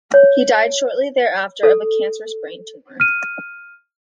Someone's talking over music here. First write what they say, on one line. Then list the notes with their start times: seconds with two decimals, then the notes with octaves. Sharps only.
He died shortly thereafter of a cancerous brain tumor.
0.14 C#5
1.63 A4
3.00 F6 D#7